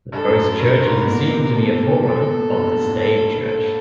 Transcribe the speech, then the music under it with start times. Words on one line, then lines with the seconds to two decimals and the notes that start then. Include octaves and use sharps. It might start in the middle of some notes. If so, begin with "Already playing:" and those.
The post church is assumed to be a forerunner of the stave church.
0.12 G2 A4
0.28 F#2
0.59 G2 A#4
0.83 G#2
1.02 B2
1.08 A#2
1.28 B2
1.31 C3
1.55 B2 A4
2.02 C3 A4
2.19 B2
2.35 A#2
2.50 G#2
2.61 F#2
2.67 G2
2.82 A2
2.92 A2
2.98 A#2 A4
3.21 G2
3.38 G2
3.46 G#2 A4